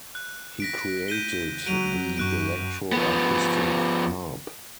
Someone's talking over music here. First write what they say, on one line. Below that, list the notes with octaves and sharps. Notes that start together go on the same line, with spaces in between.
He created the electro-acoustic harp.
F#6
A#6 B6 D7
G6 D#7 G7
F#3 D7 D#7 F7
F#2 C#6 F#6 D7
F3 B3